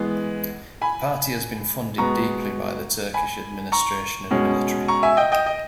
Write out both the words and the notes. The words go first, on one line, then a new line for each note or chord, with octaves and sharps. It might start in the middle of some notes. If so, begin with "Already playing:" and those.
The party has been funded deeply by the Turkish administration and military.
Already playing: E3 G#3 B3
G#5 B5
B2 G#3 B3 A#5 C#6
G#5 B5
A#5 C#6
B2 G#3 C#4
A#5 C#6
E5 G#5
D#5 G5
D#5 G5
D#5